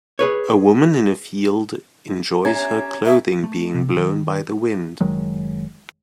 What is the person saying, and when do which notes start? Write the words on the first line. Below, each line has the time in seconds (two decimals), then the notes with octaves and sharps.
A woman in a field enjoys her clothing being blown by the wind.
0.19 G#4 B4 C#5
2.45 C#4 G4 C#5 E5 G#5 A#5 G#6
3.05 E5
3.43 A3
3.74 C3
3.96 D#3
5.01 F#1 D#3 F#3 G#3